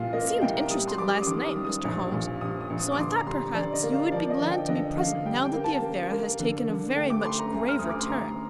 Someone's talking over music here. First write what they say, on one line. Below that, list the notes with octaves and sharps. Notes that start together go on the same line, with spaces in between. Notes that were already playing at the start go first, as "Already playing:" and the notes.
"You seemed interested last night, Mr. Holmes, so I thought perhaps you would be glad to be present now that the affair has taken a very much graver turn."
Already playing: C2 A#2 F5
A#3 D#5
F5
C2 G5
A#5
G3 D#6
C6
G3 D6
D#6
D#3 D6
D#6
G3
D#6
A#1
A#2
A#1 D#6
D#6
A#1
D#6
D6
D3 C6
A#5
G3 C6
A#5
D3 D5
D#5
A#3
F5
F3 D5
D#5
D3
G5
D3 D#5
D3 F5
G3 G5
G5
A#3
A5
A#3
A#3
D3
D3
A3 G5
D6
A3 C6
A#5
D2
F6
D2 D#6
D6
C6
D2 A#5